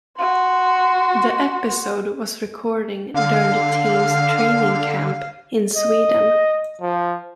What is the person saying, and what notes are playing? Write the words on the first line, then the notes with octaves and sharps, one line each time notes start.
The episode was recording during the team's training camp in Sweden.
F#4 C6
D3 F5
D#5
F3